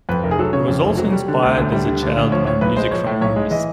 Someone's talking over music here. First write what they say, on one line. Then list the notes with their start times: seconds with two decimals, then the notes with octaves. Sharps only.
He was also inspired as a child by music from movies.
0.09 F2 B4
0.24 F1 A#4
0.31 G#4
0.39 F#3 A4
0.53 C#3 C#5
0.68 F2
0.83 F1
0.97 F#3
1.12 G3
1.28 D3
1.43 D2
1.57 D2
1.72 G3
1.87 D3
2.02 D2
2.17 D2
2.32 F3 C#5
2.47 A2 C#5
2.61 B1 B4
2.77 G#3 C5
2.91 F3 C#5
3.07 A2
3.21 B1 C#5
3.36 G#3
3.51 E3 D#5